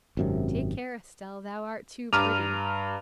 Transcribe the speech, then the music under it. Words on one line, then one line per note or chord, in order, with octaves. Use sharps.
Take care, Estelle, thou art too pretty!
G#1 F#2 C3
G2 A#5 D6 F6 D#7 F7